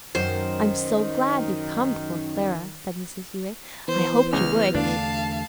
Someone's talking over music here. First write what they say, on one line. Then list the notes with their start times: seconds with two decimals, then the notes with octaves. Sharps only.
'I'm so glad you've come before Clara,' said Mrs. Hewett. 'I hoped you would.
0.15 F#2 D#3 F#3 C#4 D#4 C5 C#5
3.88 E3 B3 C5
4.33 C#2 F6
4.75 E2 D3 A3 D4 F5 A5